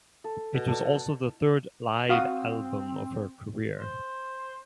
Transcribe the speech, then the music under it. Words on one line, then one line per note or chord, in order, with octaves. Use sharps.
It was also the third live album of her career.
A4
B2
A4 D5
C4 F#4 F5 D#6
C5